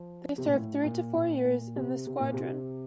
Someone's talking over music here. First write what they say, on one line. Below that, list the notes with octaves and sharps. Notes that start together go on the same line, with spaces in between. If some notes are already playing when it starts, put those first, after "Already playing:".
They serve three to four years in the squadron.
Already playing: F3
C3
A#2
A2
A#2
A#2
A#2
C3
C3
A#2
C3